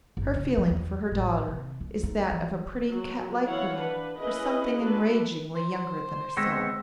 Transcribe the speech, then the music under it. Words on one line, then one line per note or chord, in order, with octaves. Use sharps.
Her feeling for her daughter is that of a pretty cat-like woman for something enragingly younger than herself.
G1
C#3
F3
E2
A1
C3
C#2
D#4
E3
F#3
E3 E4 C#5 F5 F#5
D4 B4
C#4 E4 G#4 B4 D#5
D4 F#4 A4 B4
C5
G#3 B3 C4 C#5 E6 A#6 B6